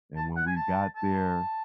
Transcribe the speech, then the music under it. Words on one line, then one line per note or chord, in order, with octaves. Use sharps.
And when we got there,
A5
F#5
G#5
A5
A5